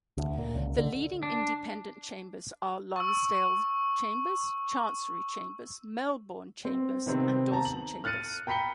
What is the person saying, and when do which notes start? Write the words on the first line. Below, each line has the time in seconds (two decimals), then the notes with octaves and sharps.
The leading independent chambers are Lonsdale Chambers, Chancery Chambers, Melbourne Chambers and Dawson Chambers.
0.17 D2
0.38 A#2
0.55 C#2
0.78 D3
1.23 D4
2.96 C#6 E6
6.65 C4
7.06 C3 D#3 B3 C4
7.52 A5 A#5
7.65 F#7
8.04 F6 F#6 A6 C#7 D#7
8.47 G5 A#5 B5 B6 C#7 G7